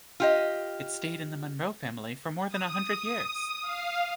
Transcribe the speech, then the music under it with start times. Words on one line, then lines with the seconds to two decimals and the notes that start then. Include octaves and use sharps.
It stayed in the Monro family for more than a hundred years.
0.20 F4 G4 D#5
2.48 D#6
3.62 F5